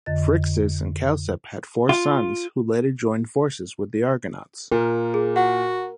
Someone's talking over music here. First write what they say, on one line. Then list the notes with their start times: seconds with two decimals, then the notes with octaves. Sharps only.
Phrixus and Chalciope had four sons, who later joined forces with the Argonauts.
0.06 F2 D3 D#5 A6
1.89 F4
4.72 A#2 A#4
5.14 G#4
5.36 F#4 F#5